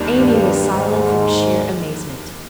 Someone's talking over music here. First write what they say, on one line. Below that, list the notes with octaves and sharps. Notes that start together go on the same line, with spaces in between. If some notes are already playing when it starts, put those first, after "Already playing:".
Amy was silent from sheer amazement.
Already playing: D#2 D#3 G3 A#3 D4
G2
G#2